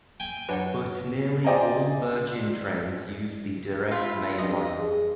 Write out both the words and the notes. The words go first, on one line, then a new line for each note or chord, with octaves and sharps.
But nearly all Virgin trains use the direct main line.
G5 G#5
F#2 D4 F#4 B4 C#5 F#5
C5 D5 D#5 G5 G#5 A#5
F4 E5 B5
G2 D#5
G#4